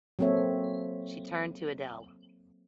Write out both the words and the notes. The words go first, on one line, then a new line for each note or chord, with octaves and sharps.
She turned to Adele.
F#3 A#3 C4 A4 C#5 E5